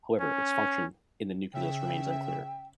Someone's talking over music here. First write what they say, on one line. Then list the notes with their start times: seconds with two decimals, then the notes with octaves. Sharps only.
However, its function in the nucleus remains unclear.
0.20 C#4
1.53 C#3 E5 G5